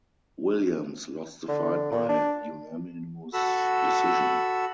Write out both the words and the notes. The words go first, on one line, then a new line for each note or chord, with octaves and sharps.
Williams lost the fight by unanimous decision.
D3
A#2
D4
F#4 A4 B5 E6